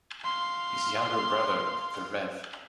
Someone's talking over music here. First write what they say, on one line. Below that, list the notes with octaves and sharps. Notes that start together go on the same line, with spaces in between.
His younger brother, the Rev.
F5 C6